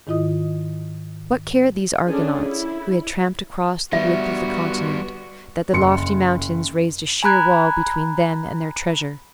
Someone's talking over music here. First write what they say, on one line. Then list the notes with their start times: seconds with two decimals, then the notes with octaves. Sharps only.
What cared these argonauts, who had tramped across the width of the continent, that the lofty mountains raised a sheer wall between them and their treasure?
0.07 G#2 D#3 E4 F4 D#5 D#6
2.08 D3 C#4 D4 G#4
2.45 E4
3.93 G3 B3 F#4 E5
5.73 F#1 C6 C#7
7.23 G#5 A#5 B5 F#6 G#6